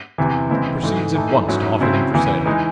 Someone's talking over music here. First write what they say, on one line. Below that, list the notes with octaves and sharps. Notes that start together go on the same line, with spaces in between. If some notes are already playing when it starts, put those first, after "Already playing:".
He proceeds at once to offer them for sale.
E2 C3 E3
E2 C#3 G#3 C4 E4
G#2 E3 A3
E3 A3 D#4 A4
G#2 F#3 C#4 E4
C#3 F#3 C4 E4
E2 C#3 E3
E3 G#3 D#4